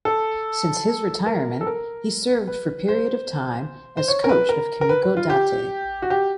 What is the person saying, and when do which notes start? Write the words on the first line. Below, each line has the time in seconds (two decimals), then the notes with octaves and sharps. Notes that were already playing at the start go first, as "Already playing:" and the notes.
Since his retirement he served for period of time as coach of Kimiko Date.
0.05 A4
1.26 A#4
1.61 A4
1.67 A#4
2.47 B4
2.88 C5
3.97 C5
4.08 C#5
4.24 A#4
4.29 B4
4.49 A#4
4.81 A#4
4.89 B4
5.03 B4
5.17 F4
5.30 G4
6.02 F#4
6.10 G4